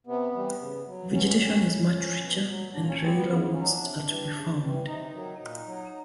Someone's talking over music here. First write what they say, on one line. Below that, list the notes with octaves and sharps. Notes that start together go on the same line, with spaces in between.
Vegetation is much richer, and regular woods are to be found.
C3 B3
E3 G3
C#3
F#3
B2 C#4
G3
A2
F3
B2
F#3
A#2 D4
C#4
G3 C4
B3
C#3 B3
F#3 C#4
D#4
D4
C3
E3 G3
C#3
E3 G3
C3 D#4
D#3 F#3
A#2
F#3